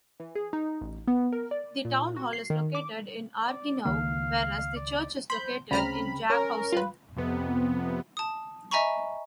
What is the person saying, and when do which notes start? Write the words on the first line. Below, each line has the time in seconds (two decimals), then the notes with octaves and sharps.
The town hall is located in Argenau, whereas the church is located in Jaghausen.
0.20 E3
0.35 G#4
0.53 D#4
0.81 A1
1.08 B3
1.33 A#4
1.51 D5
1.85 A#2
2.16 F#4
2.33 C7
2.50 D#3
2.75 D6
3.46 D5
3.85 C#2 D#3 A#3 F5
4.76 D5
5.30 C5 B5 G6
5.71 D2 C#3 C4 A#5 B5 F6
6.30 C#4 A#4
6.73 F4 B4
7.16 F2 C3 B3
8.17 A5 D#6
8.71 D#5 E5 G#5 A#5 B5 C#6